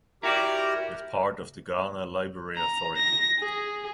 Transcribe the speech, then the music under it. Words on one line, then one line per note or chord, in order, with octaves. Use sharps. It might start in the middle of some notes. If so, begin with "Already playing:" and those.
It is part of the Ghana Library Authority.
E4 F#4 G4 A#4 D5 A#5
A#5
A#6
G#4